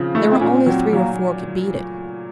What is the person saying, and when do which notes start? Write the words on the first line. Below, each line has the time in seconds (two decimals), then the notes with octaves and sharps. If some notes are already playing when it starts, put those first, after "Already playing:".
There were only three or four could beat it.
Already playing: C#3 F3 C4
0.15 A3
0.31 C4
0.40 A#2 C#4
0.66 F#3 C4
0.92 F#3 A#3